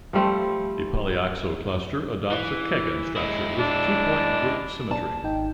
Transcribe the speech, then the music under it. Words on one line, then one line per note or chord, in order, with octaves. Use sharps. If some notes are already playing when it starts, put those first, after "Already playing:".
The polyoxo cluster adopts a Keggin structure, with T point group symmetry.
F3 G3 A3 C4
E3
G#3 E4
D4
D5 A5
G#1 D#4 G5